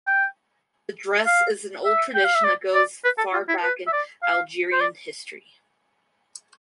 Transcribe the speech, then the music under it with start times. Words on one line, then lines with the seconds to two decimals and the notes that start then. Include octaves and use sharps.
The dress is an old tradition that goes far back in Algerian history.
0.07 G5
1.26 F5
1.85 E5
2.15 G5
2.25 F5
2.35 E5
2.44 D5
2.74 D5
3.05 B4
3.18 A4
3.33 F4
3.49 E4
3.63 B4
3.87 E5
3.93 D5
4.23 F5
4.73 C5
4.81 D5